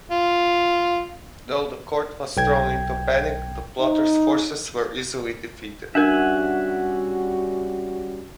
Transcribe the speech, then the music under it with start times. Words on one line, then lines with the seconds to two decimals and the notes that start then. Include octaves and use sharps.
Though the court was thrown into panic, the plotters' forces were easily defeated.
0.11 F4
2.37 B1 G5 G#6
3.80 D#4
5.95 G3 C#4 D4 F#4 A#4 E5 F#5 G#5